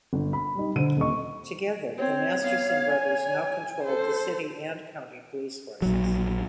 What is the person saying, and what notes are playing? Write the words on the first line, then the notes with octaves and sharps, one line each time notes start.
Together, the Masterson brothers now controlled the city and county police forces.
G1
B5
G3 D#4
D3 C5 D#7
D#1 D#5 C#6
C4 C#5
B3 F5
G#5
A4 C5
A#1 F#3